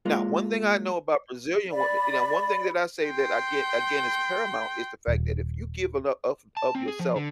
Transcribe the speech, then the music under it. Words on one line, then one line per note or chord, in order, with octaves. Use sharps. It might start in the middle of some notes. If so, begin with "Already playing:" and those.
Now, one thing I know about Brazilian women you know, one thing that I say that I get again is paramount is the fact that if you give enou ...ough of yourself
G#3 A#3 F4
D5 B5
G5 C6
D#1
A5
C4
G#4
F3
D3